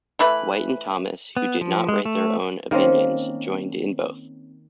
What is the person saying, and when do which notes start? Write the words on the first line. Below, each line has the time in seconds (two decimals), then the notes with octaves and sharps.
White and Thomas, who did not write their own opinions, joined in both.
0.19 E3 A3 B4
1.37 B3
1.61 F3
1.89 G#3
2.05 A3
2.71 D#3 A#3 C4 C#4